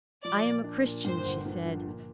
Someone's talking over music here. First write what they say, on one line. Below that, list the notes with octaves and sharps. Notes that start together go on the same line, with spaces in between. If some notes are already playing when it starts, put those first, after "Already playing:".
'I am a Christian,' she said.
F3 D5
A#2
D4
A#2
G2 C5
G1
D3
F3
A#2